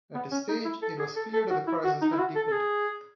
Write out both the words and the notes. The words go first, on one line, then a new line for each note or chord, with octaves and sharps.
At this stage, it was clear that the crisis had deepened.
B3
C#4
D#4
E4
A4
G#4
A4
A4
F#4
E4
F#4
D#4
E4
F#4
A4
A4
G#4